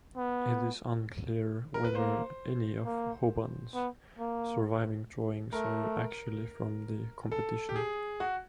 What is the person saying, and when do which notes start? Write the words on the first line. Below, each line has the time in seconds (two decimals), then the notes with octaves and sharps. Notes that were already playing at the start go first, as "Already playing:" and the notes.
It is unclear whether any of Hoban's surviving drawings are actually from the competition.
0.16 B3
1.74 A#4
1.84 B4
1.95 A#3 C5
2.85 A#3
3.74 B3
4.19 A#3
5.53 A3 A#4
7.32 A4
7.69 G4
7.76 G#4
8.20 F#4